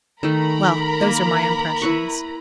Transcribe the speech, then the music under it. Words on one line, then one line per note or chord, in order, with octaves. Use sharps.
Well, those are my impressions.
D#3 A3 A#4 A#5 B5
A#3
E4 B4 C#6